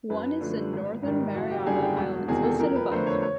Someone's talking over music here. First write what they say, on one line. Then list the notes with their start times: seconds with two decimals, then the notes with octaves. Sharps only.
One is the Northern Mariana Islands listed above.
0.10 F#2 B4
0.41 D3 F3 A3
0.73 G#1
1.03 G#2 D#3 G3
1.34 F#1 F#4
1.51 G4
1.66 F#2 D3 G3 G#4
1.81 G4
1.98 E1 F#4
2.28 E2 C3 D#3 G#4
2.44 A4
2.60 F2 A#4
2.76 B4
2.91 D3 F3 A3 C5
3.07 C#5
3.22 C#5